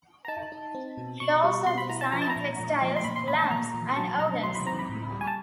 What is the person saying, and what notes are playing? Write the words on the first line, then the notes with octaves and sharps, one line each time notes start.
He also designed textiles, lamps and organs.
A#5
D#4 A5
D#4
C4
B2
B2 C#6
G3
B2 C6
B5
E4 A#5
A5
F3 A#5
A5
A#5
A#2
A#2
F3
C6
A#2 B5
C6
A#2 B5
A5
A#2 A#5
A#2
F#3 A5
B2 A#5
F#3 C6
B5
C4 A#5
B5
A2
G3
G#5
A5